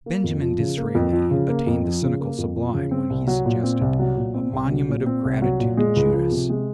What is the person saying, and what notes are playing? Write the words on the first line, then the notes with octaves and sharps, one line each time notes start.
Benjamin Disraeli attained the cynical sublime when he suggested a monument of gratitude to Judas.
A#3
F2
F3
C#3
A#3
F2
F3
C#3
A#3
F2
F3
C#3
A#3
F2
F3
C#3
C4
C2
F#3
A#2
C4
C2
F#3
A#2
C4
C2
F#3
A#2
C4
C2
F#3
A#2
G#3
C#2
F3
C3
G#3